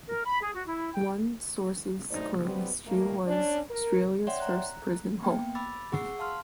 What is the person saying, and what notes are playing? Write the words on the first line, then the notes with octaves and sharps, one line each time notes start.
One sources claims she was Australia's first prison hulk.
A#4
B5
G#4
F#4
E4
G5
G2 F#3 A3 D#4 C5 D5
C#3 F#3 G3 B3 C4
A#2 D#3 A3 A#3
C#4 D4 D5
A#4
C#5 D5 E5 F#5 G5 C6
A#5 F#6
A#3 B3 G5
B5 D6 E6 A6
G#4 F#5 C#6 E6 C7
F5 A5 C6 F6